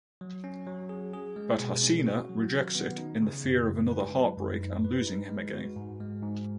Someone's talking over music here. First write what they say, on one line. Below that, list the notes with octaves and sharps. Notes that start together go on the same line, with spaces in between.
But haseena rejects it in the fear of another heartbreak and losing him again.
F#3
C#4
F#3
G#4
G#4
G#3
B2
C#4
F#4
F#3
D#3
B3
D#4
C#3
F#2
G#3
B4
F#3
F#2
D#4
B4
D#4
G#3
F#4
G#2
G#3
G#2